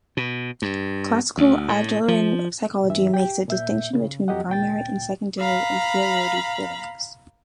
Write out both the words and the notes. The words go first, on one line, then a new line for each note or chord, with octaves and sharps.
Classical Adlerian psychology makes a distinction between primary and secondary inferiority feelings.
B2
G2
D2
A2
F3
G2 E3 E5
G4 G5
A#2 E5 G6
C#3
F2 F#3 G4 D#5 F#5
D2 A#2 G5 A6
F5 A#5 B5